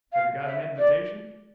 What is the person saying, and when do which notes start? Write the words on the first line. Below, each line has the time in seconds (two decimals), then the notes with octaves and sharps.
"Have you got an invitation?"
0.13 F5
0.46 E5
0.78 D5